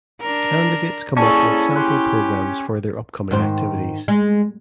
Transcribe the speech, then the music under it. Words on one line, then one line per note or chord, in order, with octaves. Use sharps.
Candidates come up with sample programs for their upcoming activities.
D4 A#4
A#3 C#4 E4 G#4 A4 D5 A5 C#6
G4 C6 F#6
G#2 D#3 C5
G#3